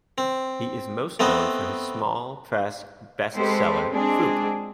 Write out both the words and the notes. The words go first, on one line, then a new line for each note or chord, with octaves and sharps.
He is most known for his small press bestseller Foop!
C4
A3 B3 C4 D#5
G#3 C4 G4 A4 B4 C5
G#3 C4 D4 G#4